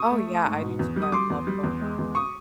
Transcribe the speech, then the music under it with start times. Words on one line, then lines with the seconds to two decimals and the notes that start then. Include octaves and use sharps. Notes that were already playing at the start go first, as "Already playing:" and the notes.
Oh, yeah. I do too. I love going outside.
Already playing: C#6 D#6
0.11 A3
0.27 A3
0.45 G#2
0.61 B2
0.79 E2
0.96 G3
1.02 D#6
1.12 G3 C6 D6
1.30 E2
1.47 G3
1.64 E2
1.81 G#3
1.99 E2
2.15 C#6 D#6